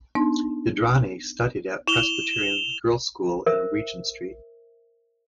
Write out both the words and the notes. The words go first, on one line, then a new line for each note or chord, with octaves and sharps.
Indrani studied at Presbyterian Girls School in Regent Street.
B3 D4 D#4
E4 E7 F7 G7
A#4 C5 E5